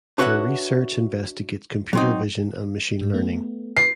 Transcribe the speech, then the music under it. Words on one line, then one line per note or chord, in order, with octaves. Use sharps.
Her research investigates computer vision and machine learning.
D4 F#4 B4 C#5 E5 F#5
F#3 C4 D#4
G#2
A3 B3
B4 C7